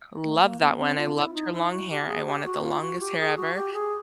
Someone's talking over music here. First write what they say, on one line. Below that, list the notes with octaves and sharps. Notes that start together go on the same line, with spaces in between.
love that one, I loved her long hair, I wanted the longest hair ever,
A3
A#3
B3
C4
F4
E4
D#4
E4
F#4
G4
G#4
G4
F#4
F4
F#4
G4
G#4
F#4
G4
G#4